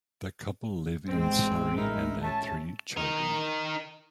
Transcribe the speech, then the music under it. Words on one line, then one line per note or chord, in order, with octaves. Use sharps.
The couple live in Surrey and have three children.
A1 G#3 C4
D#4 E4 A#4
C#4 E5 A5
D#4 A#4